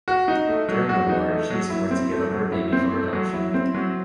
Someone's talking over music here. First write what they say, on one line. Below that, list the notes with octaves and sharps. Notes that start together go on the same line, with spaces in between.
During the war, she is forced to give her baby up for adoption.
F#4
D#4
A3
F#3
F#4
D#4
A3
F#3
E4
C4
A3
F#3
E4
C4
A3
F#3
E4
C4
F#3